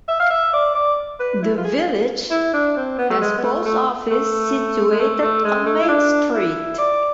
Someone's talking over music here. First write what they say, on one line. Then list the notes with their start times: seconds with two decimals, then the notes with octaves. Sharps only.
The village has Post Office situated on Main Street.
0.08 E5
0.19 F5
0.30 E5
0.53 D5
0.75 D5
1.20 B4
1.42 E4
1.57 F4
1.64 G#4
2.31 E4
2.53 D4
2.76 C4
2.98 B3
3.10 A3
3.21 G#3
3.38 B3
3.43 A3
3.66 A3
4.10 A3
4.90 G#3
5.00 A3
5.22 A3
5.44 G#3
5.66 A3
5.82 E4
5.88 D4
6.34 E4
6.78 D5